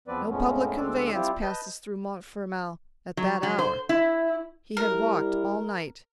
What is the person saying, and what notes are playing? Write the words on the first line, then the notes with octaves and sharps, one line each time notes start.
No public conveyance passes through Montfermeil at that hour. He had walked all night.
E2 F3 B3 C4 B4 D5
F2 A2 F3 G#3 B3 C#4
D2 G#3 C4 D4 A4 D5
G3 C4 E4 F4 G4
B4 D#5 A5 G6
F#3
F#3
C5
E4
G3 E4 A#4